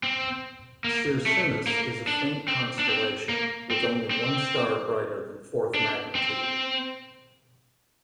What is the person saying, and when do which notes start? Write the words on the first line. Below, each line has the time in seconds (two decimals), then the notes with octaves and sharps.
Circinus is a faint constellation, with only one star brighter than fourth magnitude.
0.03 C4
0.84 A#3
1.26 A3
1.67 A#3
2.07 D4
2.48 C4
2.79 D4
2.88 C4
3.29 A#3
3.71 C4
4.11 C4
5.74 D4
6.15 C4